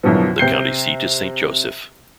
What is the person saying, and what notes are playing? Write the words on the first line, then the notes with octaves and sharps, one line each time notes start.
The county seat is Saint Joseph.
C2 F#2 B2 D3 F3
C3 G6 C7 G7